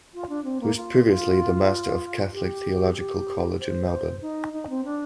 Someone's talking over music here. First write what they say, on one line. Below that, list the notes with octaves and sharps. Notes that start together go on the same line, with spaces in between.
He was previously the master of Catholic Theological College in Melbourne.
F4
D4
C4
A#3
F4
F4
G4
G4
C5
D#4
D#4
C4
D4